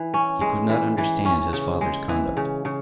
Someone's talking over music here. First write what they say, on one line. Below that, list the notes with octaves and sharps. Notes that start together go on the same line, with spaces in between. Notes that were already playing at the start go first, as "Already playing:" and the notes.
He could not understand his father's conduct.
Already playing: E3
C#4
G#3
E3
E3
C#4
C#3
G#3
E3
C#3
C#3